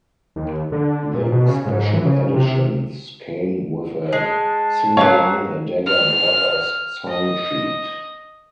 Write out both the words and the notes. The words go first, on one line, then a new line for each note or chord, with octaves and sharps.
The special editions came with a 'Singalong a Dagger Brothers' song sheet.
D#2
D3
A#2
B2
C#3
G#2
E3
C#3
C3
G#3 A5
F#3 A#3 C#4 C#5 F5
F6
D#5